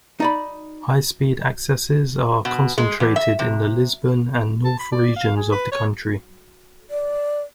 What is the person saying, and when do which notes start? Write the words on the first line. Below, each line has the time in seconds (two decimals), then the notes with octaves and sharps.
High-speed accesses are concentrated in the Lisbon and North regions of the country.
0.20 D#4 D5 B5
2.45 B2
2.78 G#3
3.00 E2
3.16 E5
3.39 C3
4.65 A5
4.79 B5
4.92 D5
5.16 F5
5.36 G#4
5.52 B4
5.72 C#5
6.90 D5